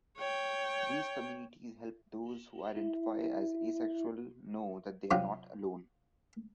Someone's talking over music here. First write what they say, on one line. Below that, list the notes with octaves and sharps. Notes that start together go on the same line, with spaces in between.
These communities help those who identify as asexual know that they are not alone.
C#5 G5
E4
C3 F#3 F4 G4 D#6